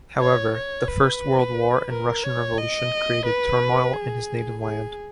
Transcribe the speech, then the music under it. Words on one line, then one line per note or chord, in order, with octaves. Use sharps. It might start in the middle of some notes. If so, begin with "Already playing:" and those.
However, the first World War and Russian Revolution created turmoil in his native land.
C#5
C#5
B4
A#4
C#5
D#5
B4
G#4
G#4